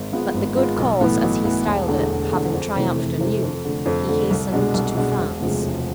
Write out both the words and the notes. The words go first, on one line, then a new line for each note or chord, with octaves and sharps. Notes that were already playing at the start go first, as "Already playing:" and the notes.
But "the good cause," as he styled it, having triumphed anew, he hastened to France.
Already playing: G#1
G#2 G#3 B3 F4
G#1
G#2 G#3 B3 F4
B1
A2 E3 B3
B1
A2 E3 B3
E1
E2 D3 A3
E1
E2 D3 A3
F2
C3 E3 A3
F2
C3 E3 A3
F2
D3 A3
F2
D3 A3
C2
B2 G#3 D4
C2
B2 G#3 D4
E1
D2 C3 F3 G#3
E1